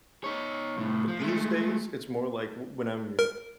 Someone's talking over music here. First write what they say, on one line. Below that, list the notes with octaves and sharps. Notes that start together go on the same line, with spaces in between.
But these days it's more like w when I'm
D#4 C#5
C2 A2
F3
G#3 A3
A#4